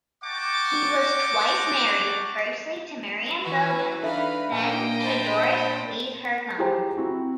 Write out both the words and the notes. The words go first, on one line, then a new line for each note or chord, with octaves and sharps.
He was twice married, firstly to Miriam Bogen and then to Doris Louise Hurcomb.
D#5 F#5 G5 A5 C#6 D6
E3 F#4 B4
D4 D#4 A4 B4 E5 F5 B5
A#2 A#3 D4 A#4 D#5 F5 G5 G#5
C5 A5 B5
E4 F4 G4 G#4 C5 A#5
C4 E4 F#4